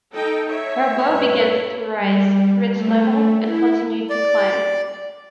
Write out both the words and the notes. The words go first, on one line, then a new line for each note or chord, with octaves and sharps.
Her bow began to rise, reached level, and continued to climb.
D#4 A4 G5
C#5 E5
G2 A#2 B4
G3
A3
E4
D5